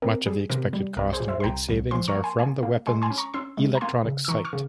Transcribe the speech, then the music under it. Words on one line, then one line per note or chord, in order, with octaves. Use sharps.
Much of the expected cost and weight savings are from the weapon's electronic sight.
C4 A#4
G3 G#4
C3 A#4
G3
C2 A#4
G#4 C5
A#2
C5 E5
C6
C2 G5 A#5
C2
F3 G#5 C6
A#5 C#6
A#3
G#5 C6
A#3 G#5 C6
A#3
G#3 G#5 C6
G#5 C6
C#4
A#5 C#6
C#4 C6 E6
G#3
A#5
A#3 G#5 C6
C#3
E6
E3 A#5 C#6
C#6 F6
C#3